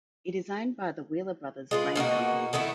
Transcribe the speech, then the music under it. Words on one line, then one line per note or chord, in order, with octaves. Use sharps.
It is owned by the Wheeler Brothers Grain Company.
G#3 F4 B4
B2 A#3 D#4 F#4
D#3 A3 B3 E4